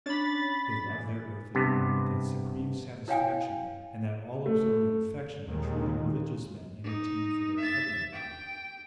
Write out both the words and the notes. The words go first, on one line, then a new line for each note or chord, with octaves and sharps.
They love their earthly home with that supreme satisfaction and that all-absorbing affection that truly religious men entertain for their heavenly home.
C#4 D4 C#5 B5 A6
E3
G2 C3 B3
E4 C#5 F5 G5 G#5
A3
D#2 A#2 D#3 G#3
D#4
E5 A6
G5